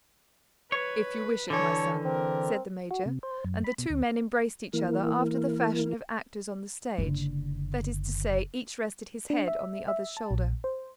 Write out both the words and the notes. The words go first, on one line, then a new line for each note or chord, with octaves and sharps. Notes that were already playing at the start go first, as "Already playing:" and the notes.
"If you wish it, my son," said the major; and the two men embraced each other after the fashion of actors on the stage; that is to say, each rested his head on the other's shoulder.
B4 C#5
D3 E3 A4 C#5
C4 A#4
F#4
C3
C5
F#2
B5
B2
D2
E3 A#3 E4 A#4
F#1 D3
D4
E5
E5
A5
A#1
C5